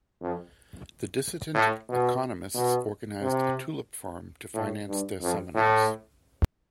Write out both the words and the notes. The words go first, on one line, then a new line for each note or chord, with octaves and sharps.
The dissident economists organized a tulip farm to finance their seminars.
F2
A2
B2
B2
C3
A2
G2
F2
A2